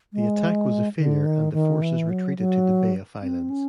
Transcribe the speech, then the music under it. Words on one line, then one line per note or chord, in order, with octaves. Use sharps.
The attack was a failure and the forces retreated to the Bay of Islands.
G#3
D3
D#3
D#3
E3
F#3
F#3
C4
C#4